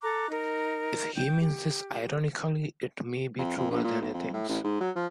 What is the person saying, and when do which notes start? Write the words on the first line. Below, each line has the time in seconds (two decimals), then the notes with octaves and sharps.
If he means this ironically, it may be truer than he thinks.
0.02 A4 A#5 D6 F#6
0.30 D#4 A#4
1.16 G5 G6
1.39 G4
3.38 F2
3.57 F2
3.71 A#1
3.85 A#2
4.01 B1
4.14 F2
4.33 A2
4.49 A1
4.64 G#2
4.81 F#3
4.96 F3